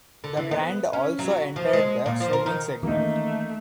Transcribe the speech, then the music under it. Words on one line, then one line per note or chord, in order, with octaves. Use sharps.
The brand also entered the swimming segment.
D3
E3
B3
C#4
F#3
F#4
F3
G#3
A#2
F3
A#4
D#3
D#3 E3 A3 A#3 C#4 D#4